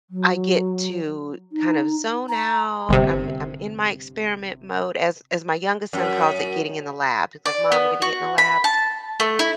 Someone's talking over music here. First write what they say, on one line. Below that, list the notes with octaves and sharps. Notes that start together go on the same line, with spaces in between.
I get to kind of zone out. I'm I'm in my experiment mode as as my youngest son calls it getting in the lab. He's, like, "Mom, you gonna get in the lab."
F#3
D#4
A#5
G1 C3
F#2
D5
B3
F#4
B5
A5
A3
E4